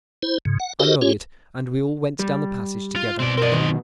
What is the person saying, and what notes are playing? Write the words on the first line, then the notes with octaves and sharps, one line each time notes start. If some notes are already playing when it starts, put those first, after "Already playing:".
I nodded, and we all went down the passage together.
E4 C5
G#2 C#3
F#5
F#4 G4 A4 A#4 C5 D#5
C#4 F4 G4 C#5
G3
F4
B2 C4 D5
C4 A#4 D5 D#5
B1 D#3